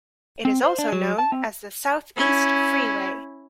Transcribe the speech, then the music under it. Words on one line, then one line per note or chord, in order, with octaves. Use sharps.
It is also known as the Southeast Freeway.
C4
C5
D4
F#3
A5
C4
C#4 E4